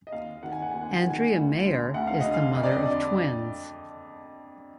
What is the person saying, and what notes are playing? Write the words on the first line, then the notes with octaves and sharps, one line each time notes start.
Andrea Mayer is the mother of twins.
D#5
D#2 F5
D#3 F#5
G#5
F#5
D#2 G#5
F#5
G#5
D#3 F#5
G#5
F#5
D2
D3
D2 F#5
F5
D3 D#5
F5
F2 D#5
D5
D#5
D3 D5